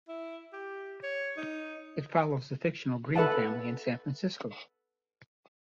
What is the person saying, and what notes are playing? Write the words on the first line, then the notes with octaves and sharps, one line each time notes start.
It follows the fictional Green family in San Francisco.
E4
G4
C#5
D#4
A4 B4 E5 F#5 A5